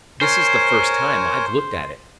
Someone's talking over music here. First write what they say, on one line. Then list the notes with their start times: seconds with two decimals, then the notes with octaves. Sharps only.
This is the first time I've looked at it.
0.21 A#4 C5 C#5 G#5